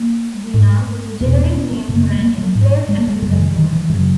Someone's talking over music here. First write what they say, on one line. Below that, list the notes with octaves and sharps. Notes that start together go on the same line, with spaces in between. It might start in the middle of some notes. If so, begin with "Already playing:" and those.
"Dinah" was a generic name for an enslaved African woman.
Already playing: A#3
G#2
E2 B2 B3
B3
C#4
B3
F#2 C#3
A#3
B3
G#3
A#3
F#3
G#2
G#3
A#3
G#3
F#2 C#3 F#3
E3
D#3
E3
F#2 C#3 F#3